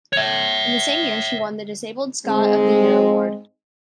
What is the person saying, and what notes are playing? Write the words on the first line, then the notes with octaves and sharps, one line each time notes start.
In the same year she won the Disabled Scot of the Year Award.
C#5 E5
G#2 G#3 C4